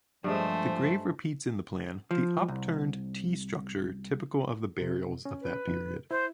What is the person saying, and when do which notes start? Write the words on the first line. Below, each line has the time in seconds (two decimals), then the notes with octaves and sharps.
The grave repeats in the plan the upturned T structure typical of the burials of that period.
0.24 G2 F3 G#3 A3 C5
2.11 F3
2.48 C2
4.81 C3
5.25 C#4
5.42 B4
5.67 F2
6.11 E4 C5